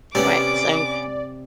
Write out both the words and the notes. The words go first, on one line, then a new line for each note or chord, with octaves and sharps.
Right, so,
C3 B3 C#4 D5 D6